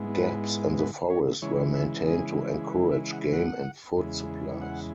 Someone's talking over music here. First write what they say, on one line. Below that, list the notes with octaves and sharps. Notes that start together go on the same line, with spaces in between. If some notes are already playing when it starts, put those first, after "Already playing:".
Gaps in the forest were maintained to encourage game and food supplies.
Already playing: G#2 G#3 B3 E4
B4
B4
C#5
C#3 E3 G#3 E4 C#5
E5
G#4
B4
E5
F#5
F#5
E2 C#3 G#3 E4
F#5